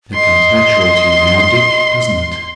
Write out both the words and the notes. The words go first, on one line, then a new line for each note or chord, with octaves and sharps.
'That comes natural to you now, Dick, doesn't it?'
D#5 C6